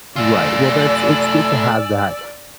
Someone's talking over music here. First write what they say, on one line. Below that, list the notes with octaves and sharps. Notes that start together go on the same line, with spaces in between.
Right, well, that's it's good to have that
A3 F4 D5 G#5 E6